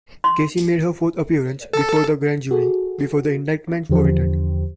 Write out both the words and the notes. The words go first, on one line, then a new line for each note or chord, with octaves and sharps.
Casey made her fourth appearance before the grand jury before the indictments were returned.
C6
A4
F#4 G#4 A4
E2 D3 F3 G4 C5